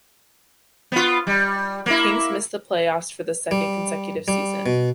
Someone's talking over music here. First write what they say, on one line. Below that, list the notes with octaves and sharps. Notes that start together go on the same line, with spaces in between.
The Kings missed the playoffs for the second consecutive season.
B3 F4
G3
A#3 E4
G3
G3
B2